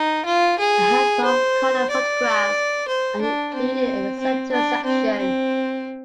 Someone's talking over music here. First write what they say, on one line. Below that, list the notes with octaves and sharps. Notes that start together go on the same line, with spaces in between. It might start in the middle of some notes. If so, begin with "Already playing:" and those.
A handful of color photographs are included in a center section.
Already playing: D#4
F4
G#4
C5
D5
C5
D4
C4
C4
D4
C4
C4